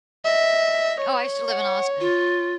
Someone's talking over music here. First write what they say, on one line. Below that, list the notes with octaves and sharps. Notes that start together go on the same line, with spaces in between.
Oh, I used to live in Austin.
D#5 E5
C#5
F#5
F4